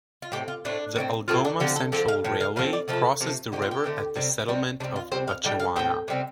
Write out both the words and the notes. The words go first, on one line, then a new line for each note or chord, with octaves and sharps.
The Algoma Central Railway crosses the river at the settlement of Batchewana.
F4
A2 A3 C4 G4
F4
A2 A3 C4 D4
A2 A3 C4
A2 A3 C4 F4
D4
D3 F3 C4 G4
A4
D3 F3 C4 A4
F5
A2 F3
F5
A2 F3 C4 F5
D5
C3 F3 A3 A4
C3 F3 A3
D3 A3 C4 G4
F4
G4
D3 A3 C4
C3 G3 C4
C3 G3 C4
C3 G3 C4 D4
F4
C3 G3 C4 C5
F5
A2 G3 G5
F5
A2 G3 C4 G5
C3 G3 C4